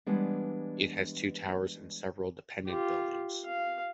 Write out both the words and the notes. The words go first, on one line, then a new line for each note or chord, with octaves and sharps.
It has two towers and several dependent buildings.
E3 G3 G#3 B3 D4
F4 G4
F5